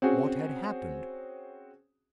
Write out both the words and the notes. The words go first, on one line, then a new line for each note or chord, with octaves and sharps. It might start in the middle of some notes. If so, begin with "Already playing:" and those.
What had happened?
C4 C#4 F#4 G#4